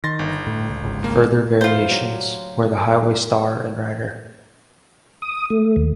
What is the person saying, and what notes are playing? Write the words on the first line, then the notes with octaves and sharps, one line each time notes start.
Further variations, where the Highway Star, and Rider.
D#3 C6 A6 A#6
G1
A2
C#2
G#1 C#2 G#2
D#2 A#3
D#3 E3 F4 C5
D2 F#3 G4
D#6
A3
D#2